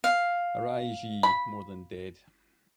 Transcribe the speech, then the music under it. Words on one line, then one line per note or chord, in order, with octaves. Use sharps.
Arise ye more than dead!
F5
B5